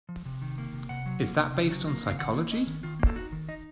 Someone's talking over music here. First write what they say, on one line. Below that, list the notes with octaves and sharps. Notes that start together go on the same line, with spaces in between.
Is that based on psychology?
F3
C3
D#3
A#3
C3
C3 F#5
F#3
A#3
C3
C#3
F#3
A#3
C#3 F5
D#3 F#5
A#3
C#4 D#5
D#3
D#3 F4
A#3
A4
D#4 F#4
D#3
D#4 D#5